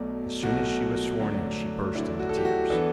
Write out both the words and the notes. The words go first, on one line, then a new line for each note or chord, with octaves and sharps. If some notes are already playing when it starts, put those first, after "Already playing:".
As soon as she was sworn in she burst into tears.
Already playing: B1 B2 F#3 A3 D5
B1 B2 F#3 A3 F#4
D2 D3 F#3 A3 D4
D2 D3 F#3 A3 D4 E4
F#4
A4
G4
F#4
E3 B3 D4 A4